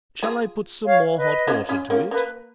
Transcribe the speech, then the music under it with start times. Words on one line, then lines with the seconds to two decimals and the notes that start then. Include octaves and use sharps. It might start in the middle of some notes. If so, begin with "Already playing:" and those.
Shall I put some more hot water to it?
0.23 F4 G#4
0.86 C#5 F5
1.16 B4 D#5
1.47 C#4 F4
1.69 C#4 F4
1.90 A#3 C#4
2.11 A#3 B4